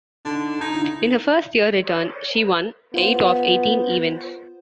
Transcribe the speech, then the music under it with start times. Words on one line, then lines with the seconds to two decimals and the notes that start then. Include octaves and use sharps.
In her first-year return, she won eight of eighteen events.
0.25 D3 D#4
0.61 D#4 G#6
0.74 D3 E4
2.94 B3 F4 C5